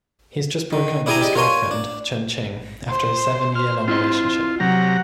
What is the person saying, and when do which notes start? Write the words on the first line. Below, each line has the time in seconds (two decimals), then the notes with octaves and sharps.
He has just broken up with his girlfriend, Chun Ching, after a seven-year-long relationship.
0.73 D#3
1.06 D4 E4 G#4 G5 G#5 A#5
1.21 G4 D5 D#5
1.35 F4 A#4 C#5 G#5 C6
1.71 D4
2.89 C5
3.55 C5 F6
3.88 C4 E4 F4 D#5
4.60 C3 F#3 F#5 A#5